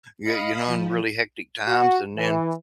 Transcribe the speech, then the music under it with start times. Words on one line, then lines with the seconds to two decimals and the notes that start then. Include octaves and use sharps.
y you know, in really hectic times, and then
0.23 D#5 F5 B5 D#6
0.66 F3
1.66 F#4
2.16 E3